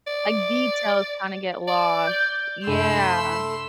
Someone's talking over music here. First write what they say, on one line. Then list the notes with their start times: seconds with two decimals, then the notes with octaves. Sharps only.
Like, details kinda get lost. Yeah.
0.07 D5
1.68 D5
2.07 G6
2.67 F#2 C3 A3 D4 A4 B5 C6 E6